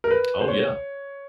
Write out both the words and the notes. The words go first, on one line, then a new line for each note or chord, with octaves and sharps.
Oh, yeah.
A#4
B4
C5
C#5